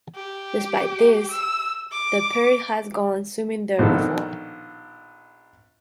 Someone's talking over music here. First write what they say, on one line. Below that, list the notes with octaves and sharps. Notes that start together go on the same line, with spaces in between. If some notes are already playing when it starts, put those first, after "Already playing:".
Despite this, the pair had gone swimming there before.
G4
E6
D6
A#1 B2 D#3 A4